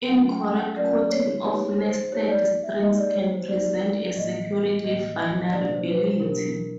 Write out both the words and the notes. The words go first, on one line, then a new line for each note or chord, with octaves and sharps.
Incorrect quoting of nested strings can present a security vulnerability.
F#3 A3 C#4 F4 A#4 F#5
G5
F#5
F#3 A3 C#4 F4 A#4 D5
C#5
A#3 D#4 G4 B4 C#5
C5
A#3 D#4 G4 B4 C#5
D5
E5
A#3 D#4 G4 D#5
D5
C#5
C5
A#3 D#4 G4 D5
A2 E3 G3 A#3 D#5
A2 E3 G3 A#3 D#5
B2 F#3 A#3 D4 G4 D5
C5
B4
C5
B2 F#3 A#3 D4 G4 A#4